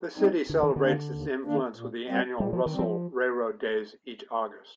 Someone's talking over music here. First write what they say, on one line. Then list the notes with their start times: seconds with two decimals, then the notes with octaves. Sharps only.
The city celebrates this influence with the annual "Russell Railroad Days" each August.
0.18 G3 C4 D#4
0.49 D#2 D3
0.63 D#3
0.76 D3
0.81 D#3 A#3 D4
1.13 D#2
1.45 D#3 A#3 D4
1.76 A#2
2.09 G3 C4
2.40 A#2 G3
2.53 F3
2.66 D#3
2.72 G3 C4
2.79 F3